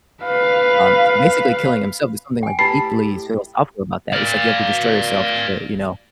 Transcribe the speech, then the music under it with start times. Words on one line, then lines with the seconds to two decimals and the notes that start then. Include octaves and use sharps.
um, so basically killing himself there's something, like, deeply philosophical about that, it's like you have to destroy yourself to, you know,
0.24 B4 F5
2.43 G5 G#5
2.59 A2 E4 G4 B4 A5 B5 C7
4.13 D5 F5